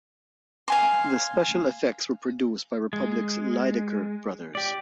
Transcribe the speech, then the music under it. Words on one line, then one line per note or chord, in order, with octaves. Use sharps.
The special effects were produced by Republic's Lydecker brothers.
F5 G#5 C6
G#3
G4 D5